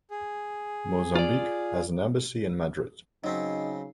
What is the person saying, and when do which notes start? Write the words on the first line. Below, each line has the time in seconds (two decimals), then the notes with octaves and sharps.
Mozambique has an embassy in Madrid.
0.11 G#4
1.15 F4 D5
3.24 C#3 F#3 C4 C#4 D#4 D#5 C7